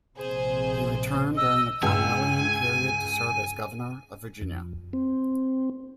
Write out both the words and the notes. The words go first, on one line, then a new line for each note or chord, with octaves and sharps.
He returned during the Cromwellian period to serve as Governor of Virginia.
A#1 C3 G#4 C5
D#5 E6
C#2 G2 G#5 E6
F2
C4